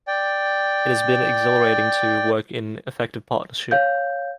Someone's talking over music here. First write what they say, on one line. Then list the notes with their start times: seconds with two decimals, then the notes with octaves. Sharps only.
It has been exhilarating to work in effective partnership.
0.07 D5 G5
3.71 C#5 F5 G6